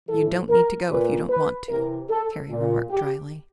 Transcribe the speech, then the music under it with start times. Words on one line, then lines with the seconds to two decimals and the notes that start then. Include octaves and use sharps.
"You don't need to go if you don't want to," Terry remarked drily.
0.08 A2 E3 A4
0.49 A#4
0.89 A#2 B4
1.29 B4
1.69 C3 E3 A#4
2.09 A4
2.50 A#2
2.90 G4